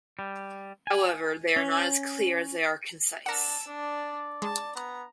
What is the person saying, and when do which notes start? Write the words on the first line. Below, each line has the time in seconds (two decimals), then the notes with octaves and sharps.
However they are not as clear as they are concise.
0.19 G3
0.87 G#5
1.56 C#4
3.26 D4 A#4 F#5 A5 E6
3.67 D4 D5
4.42 G#3 A5
4.75 B3 A#5